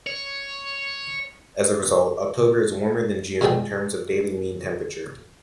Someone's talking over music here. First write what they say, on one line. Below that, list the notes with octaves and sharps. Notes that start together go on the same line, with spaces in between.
As a result, October is warmer than June in terms of daily mean temperature.
C#5
B2 G3 G#3 G#4 G5